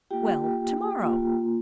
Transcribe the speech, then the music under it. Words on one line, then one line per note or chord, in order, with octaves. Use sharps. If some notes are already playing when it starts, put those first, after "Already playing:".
"Well, to-morrow."
A#3 F4 G4 G5
A#3 F4